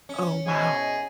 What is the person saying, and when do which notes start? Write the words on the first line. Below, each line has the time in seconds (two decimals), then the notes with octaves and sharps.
Oh, wow.
0.09 C#4
0.46 G#2 B2 E4 G#4 D#5 G#5